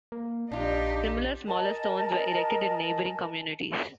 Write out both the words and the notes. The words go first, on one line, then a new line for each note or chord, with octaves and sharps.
Similar smaller stones were erected in neighbouring communities.
A#3
A#1 D4 D#4 F4 G4
A#4 D#5 G#5 A5